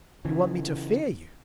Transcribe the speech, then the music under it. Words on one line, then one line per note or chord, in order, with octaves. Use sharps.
"You want me to fear you?"
C#3 E3